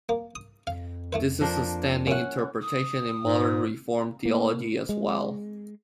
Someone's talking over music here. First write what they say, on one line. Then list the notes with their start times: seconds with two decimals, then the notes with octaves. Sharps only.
This is the standing interpretation in modern Reformed theology as well.
0.09 A#3
0.35 D#6
0.67 F2 F5
1.13 A3 E4 B4
1.41 F3 A#3 D4
2.07 A#2 C#4 E4 F#5
2.62 D#6
3.25 G#2
4.26 A#3
4.89 G#3